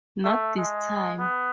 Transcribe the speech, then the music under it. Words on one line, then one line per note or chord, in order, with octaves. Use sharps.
Not this time.
A3
G#3
B3